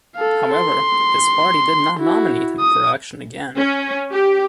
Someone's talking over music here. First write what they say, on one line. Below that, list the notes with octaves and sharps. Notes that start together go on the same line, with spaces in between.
However, his party did not nominate him for election again.
A4 F5
C6
E4 F#4
D#6
C#4
G4